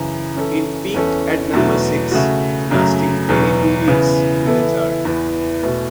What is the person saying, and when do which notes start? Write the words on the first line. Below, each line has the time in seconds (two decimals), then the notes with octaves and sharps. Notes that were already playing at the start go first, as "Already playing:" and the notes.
It peaked at number six, lasting twenty-two weeks in the chart.
Already playing: F#2 C#3 E3
0.36 E3 C#4 A4
0.94 E2 E3 C#4 A4
1.53 E2 B2 F#3 A3 F#4
2.12 C#3 A3 F#4
2.71 F#2 C#3 F#3 A3
3.29 E2 B2 F#3
3.88 C#3 E3 B3
4.46 E3 B3 E4 A4
5.05 E2 E3 B3
5.63 E2 B2 A3